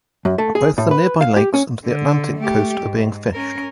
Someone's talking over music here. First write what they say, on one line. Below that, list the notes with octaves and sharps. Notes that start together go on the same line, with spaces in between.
Both the nearby lakes and the Atlantic coast are being fished.
F#2
A3
G#4
A2
B4
F5
G4
C#4
D3
A3 G4
G#2
C#4 A#4